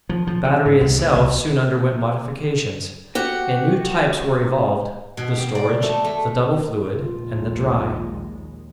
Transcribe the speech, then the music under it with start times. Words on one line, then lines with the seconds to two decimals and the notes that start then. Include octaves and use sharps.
The battery itself soon underwent modifications, and new types were evolved--the storage, the double-fluid, and the dry.
0.09 F3
0.27 F3
0.45 D3
0.66 G#2
0.81 C2
0.98 D2
1.15 C2
3.15 F#4 G4 F#5
5.17 B2
5.38 G4
5.55 D5
5.83 A3
6.04 A3
7.01 A#1 D#2 G#3 F4